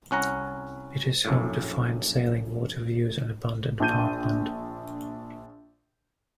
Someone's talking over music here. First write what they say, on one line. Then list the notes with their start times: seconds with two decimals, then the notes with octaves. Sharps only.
It is home to fine sailing, water views and abundant parkland.
0.11 C2 C#4 F#5 A#5
1.25 A#1 F#2 A2
3.80 A#1 D4 G6 D#7